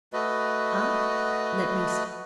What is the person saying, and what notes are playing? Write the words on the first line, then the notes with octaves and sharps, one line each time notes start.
Ah! let me see!
A3 F#4 B4 D#5